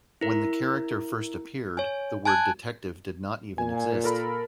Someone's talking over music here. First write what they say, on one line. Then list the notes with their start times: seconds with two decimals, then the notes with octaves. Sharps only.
When the character first appeared, the word detective did not even exist.
0.21 E4 A#4
1.77 C#5 G#5
2.25 G#5 A5 F#6 G#6
3.58 A#2 G#5
4.04 A4 A#4 B5